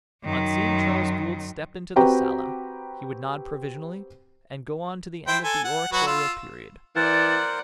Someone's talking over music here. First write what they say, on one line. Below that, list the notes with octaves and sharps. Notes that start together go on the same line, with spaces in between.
On seeing Charles Gould step into the sala he would nod provisionally and go on to the end of the oratorial period.
F#2 D#3
C4 F#4 G4 B4 G5 A#5
E4 C5 G5
A4 G#5
F#5
F#3 F#4 B4
F4 E6
E3 A#4 C5 D5 F#5 A6